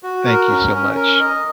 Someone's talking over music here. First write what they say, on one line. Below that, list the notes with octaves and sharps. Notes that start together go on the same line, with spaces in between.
Thank you so much.
F#4
A#4
C#4
C#4
A#4
D#5